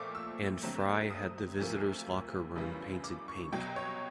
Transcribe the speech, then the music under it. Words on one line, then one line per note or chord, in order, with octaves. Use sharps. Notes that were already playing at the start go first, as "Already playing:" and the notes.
And Fry had the visitors' locker room painted pink.
Already playing: A#2 F3 A3 C4 C#6 D6
E6
D#2 D3 F#3 A3 C4
D#6
D2 C3 F3 A#3
F#2 C#3 E3 G3 B3
D6
C#6
C2 B2 F#3 G5
C#5